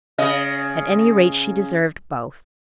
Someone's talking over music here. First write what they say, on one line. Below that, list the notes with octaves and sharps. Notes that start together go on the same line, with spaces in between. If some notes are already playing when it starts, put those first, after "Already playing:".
At any rate she deserved both.
C#3 D#5